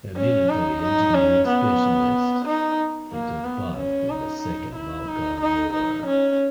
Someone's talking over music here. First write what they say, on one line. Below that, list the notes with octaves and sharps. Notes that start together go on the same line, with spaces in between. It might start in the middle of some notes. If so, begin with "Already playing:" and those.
A military engineering specialist, he took part in the Second Balkan War.
C#4
D#4
D#4
C#4
B3
D#4
A#3
B3
C#4
D#4
D#4
E4
D#4
D#4
D#4
C#4